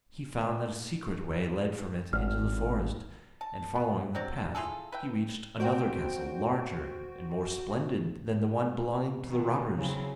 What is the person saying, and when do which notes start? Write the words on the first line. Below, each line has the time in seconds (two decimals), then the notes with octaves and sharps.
He found that a secret way led from it into the forest; and following the path, he reached another castle larger and more splendid than the one belonging to the robbers.
2.13 G#1 F6
3.41 A5
3.75 B3
4.15 F#3 C4 D5
4.55 E4 F4 G#4 A4
4.92 B4 E5 G5
5.60 A#3 C4 F#4 C5 F#5 G5 G6 D7
9.23 B2 D#3
9.77 C#3 F#3 C4 C#4 E4